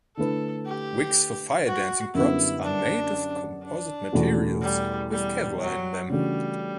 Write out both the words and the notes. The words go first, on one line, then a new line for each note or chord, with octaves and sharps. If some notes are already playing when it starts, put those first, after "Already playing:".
Wicks for fire dancing props are made of composite materials with Kevlar in them.
D3 A3 E4 A4 B4
G4
F#4
F#2 D3 G3 B3 E4
D4
D4
E2 B2 A3 C#4 F#4
G3
G3
F#3
C#3 E3 G3 A3 D4 F#4